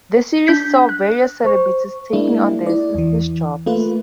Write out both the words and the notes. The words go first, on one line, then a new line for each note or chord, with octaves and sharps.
The series saw various celebrities taking on their ancestors' jobs.
D4 G6 B6
F#6
C5 C#6
G#3 A#3 D4 E4
E4 D5
E2 E3
A3 A#3 F4 B4